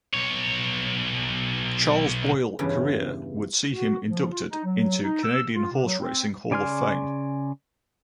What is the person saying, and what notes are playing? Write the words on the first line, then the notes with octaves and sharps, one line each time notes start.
Charles Boyle career would see him inducted into Canadian Horse Racing Hall of Fame.
B1 C#5
E2 G2 C#3
F#4
F3
F4
D#4
F#3
D#4
E6
F4
C3
F#3
C4
C#3 D5 G#5 C6 F6